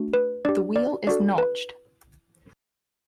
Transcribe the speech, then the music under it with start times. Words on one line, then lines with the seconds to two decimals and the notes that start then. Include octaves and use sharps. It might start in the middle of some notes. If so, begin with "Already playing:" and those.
The wheel is notched.
Already playing: A3 D4 F#4
0.14 B4
0.45 D4 G4 D5
0.76 D5
1.07 D4 F#4 A4 D5
1.38 B4